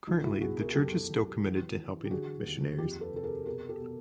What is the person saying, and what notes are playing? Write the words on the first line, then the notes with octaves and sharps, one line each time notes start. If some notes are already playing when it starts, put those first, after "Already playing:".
Currently, the church is still committed to helping missionaries.
C#2 D#4 F4
E4 F#4
B2 F#4 G#4
G#4 A#4
G#4
F#2 G4 A4
F#2
E3
E3
G4
D3 F#4 G#4
D#2
G#4
F2 F4 G4
A4 B4
C3 A4
G#4 A#4
B2 G#4 A#4
G4 A4
B2